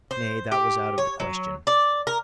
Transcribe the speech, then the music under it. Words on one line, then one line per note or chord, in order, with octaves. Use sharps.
Nay, that was out of the question.
C5
G4
C#5
F#3
D5
A#4